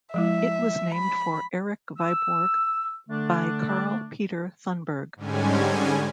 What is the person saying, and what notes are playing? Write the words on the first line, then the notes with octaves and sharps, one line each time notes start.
It was named for Erik Viborg by Carl Peter Thunberg.
F3 G#3 E4 E5
B5
E6
D3 A3 D4
G#2 D3 G3 G#3 C#4 G#5